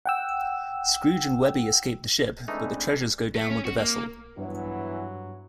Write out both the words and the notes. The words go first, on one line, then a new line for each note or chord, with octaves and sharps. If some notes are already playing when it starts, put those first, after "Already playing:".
Scrooge and Webby escape the ship, but the treasures go down with the vessel.
F#5 G5 E6
E3 G#3 A3 C4 D4 D#4
A3
C#4
F#4
A#3
G2 E3 F#3 B3 E4